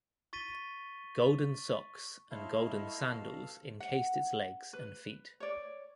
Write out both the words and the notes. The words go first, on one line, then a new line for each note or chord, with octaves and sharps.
Golden socks and golden sandals encased its legs and feet.
C#6 A6 B6 D#7 G7
A2 E4 A4 D#5 F5 C6 C#6
B2
F#5
B4
C#5 D5